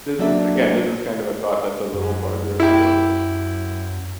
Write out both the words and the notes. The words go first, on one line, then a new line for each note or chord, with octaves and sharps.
this is, again, this is kind of a thought that's a little farther afield
F#3 A#3 D4 A4 E5
F#2
E4 G4